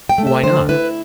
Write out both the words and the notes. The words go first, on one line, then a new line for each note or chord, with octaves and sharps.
"Why not?"
G5
A3
E5
D3 C5
E4 B4